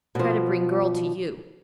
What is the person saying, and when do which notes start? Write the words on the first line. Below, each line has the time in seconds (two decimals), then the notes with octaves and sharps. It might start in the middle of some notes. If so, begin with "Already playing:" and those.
Kreta bring girl to you.
0.15 B2 F3